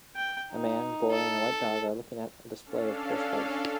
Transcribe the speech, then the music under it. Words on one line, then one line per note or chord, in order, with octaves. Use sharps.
A man, boy and a white dog are looking at a display of postcards.
G5
D#4
A4
C#4 D4 A4 F5